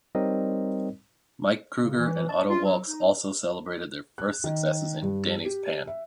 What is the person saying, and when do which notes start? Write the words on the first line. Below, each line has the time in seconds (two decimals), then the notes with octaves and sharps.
Mike Krüger and Otto Waalkes also celebrated their first successes in "Danny's Pan".
0.15 G3 C4 D#4 A#4 C#5 D#5
1.82 C#3
1.99 E3
2.29 A5
2.50 F4
2.65 F#3
2.84 D#4
4.18 F#6
4.44 D#3
5.02 G2
5.45 G4
5.87 E5